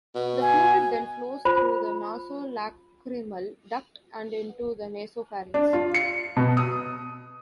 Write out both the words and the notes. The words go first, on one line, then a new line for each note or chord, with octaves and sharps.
The fluid then flows through the nasolacrimal duct and into the nasopharynx.
B2
G#5
F4 C5 B5
D4
F4
C#7
B2
D#6